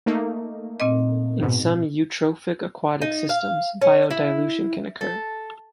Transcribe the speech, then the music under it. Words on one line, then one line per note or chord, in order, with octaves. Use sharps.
In some eutrophic aquatic systems, biodilution can occur.
A3 A#3 D#4
A#2 C4 D#5
G#2 B2
D#4
F5
C#4
E4
A4